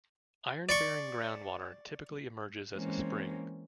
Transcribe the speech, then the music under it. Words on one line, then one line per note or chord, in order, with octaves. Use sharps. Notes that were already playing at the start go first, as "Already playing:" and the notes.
Iron-bearing groundwater typically emerges as a spring.
D5 C6 C#6
E3 G#3 A#3 C4 C#4